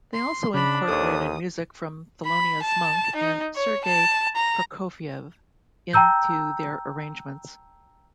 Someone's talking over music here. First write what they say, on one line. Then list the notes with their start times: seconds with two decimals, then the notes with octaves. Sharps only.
They also incorporated music from Thelonious Monk and Sergei Prokofiev into their arrangements.
0.14 C6
0.54 C#3 D4 B5
0.88 D#2 A4 C5 C#5 D#6
2.26 B5
2.63 A5
3.16 D#4
3.55 C#5
3.85 A5
4.36 A#5
5.93 G5 A5 A#5 E6 G6